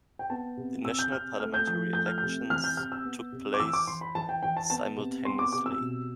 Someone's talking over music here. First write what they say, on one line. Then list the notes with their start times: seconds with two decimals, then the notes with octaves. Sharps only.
The national parliamentary elections took place simultaneously.
0.19 G5
0.30 B3 A5
0.57 C3
0.85 C3 E6
0.99 G6
1.12 C3 F6
1.40 A3 F6
1.54 G6
1.67 F3 G6
1.93 A3 G6
2.06 F6
2.18 C3 G6
2.50 E3 F6
2.64 G6
2.77 C3 F6
2.92 E6
3.05 B3
3.32 C3
3.54 D6
3.60 E3 E6
3.73 D6
3.87 E3 C6
4.01 B5
4.15 E3 A5
4.29 G5
4.43 E3 G5
4.57 A5
4.70 B3 A5
4.97 C3
5.25 B3 C6
5.39 D6
5.53 C3 D6
5.66 E6
5.80 B2